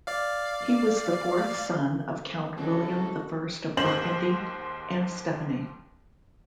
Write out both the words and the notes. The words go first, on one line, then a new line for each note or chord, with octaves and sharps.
He was the fourth son of Count William the First of Burgundy and Stephanie.
D5 F5
C#2 C4 C#4 E4 F#4 A4
D#2 G#2 C5 C6 F#7